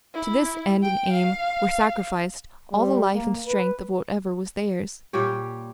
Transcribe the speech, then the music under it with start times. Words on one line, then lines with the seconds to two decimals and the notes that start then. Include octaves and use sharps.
To this end and aim were sacrificed all the life and strength of whatever was theirs.
0.14 E4
0.83 G5
1.12 F5
2.72 G3
3.14 A#3
3.46 B4
5.13 A#2 G3 G4 C#5